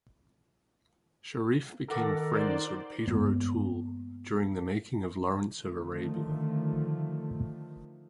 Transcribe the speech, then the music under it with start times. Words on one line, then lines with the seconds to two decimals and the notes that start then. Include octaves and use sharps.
Sharif became friends with Peter O'Toole during the making of "Lawrence of Arabia".
1.88 D#3 A4 A#4 F#5 D6
2.31 D#4 C5 D5
3.07 G2 G#3 A#3 B3
5.59 D3 D#3 F3 A3